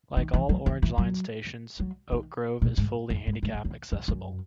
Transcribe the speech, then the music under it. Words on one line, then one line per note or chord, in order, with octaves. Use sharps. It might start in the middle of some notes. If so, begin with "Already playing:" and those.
Like all Orange Line stations, Oak Grove is fully handicapped accessible.
D#3
E3
F#3
E3
E3
F#3
F#3
D#3
A#2
G#2
F#2
G#2
G#2
G#2
E2
F#2
F#2